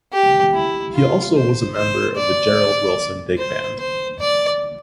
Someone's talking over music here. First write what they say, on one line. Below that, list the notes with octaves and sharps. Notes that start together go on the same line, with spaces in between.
He also was a member of the Gerald Wilson big band.
G4
E4
F4
C5
C5
D5
C5
C5
D5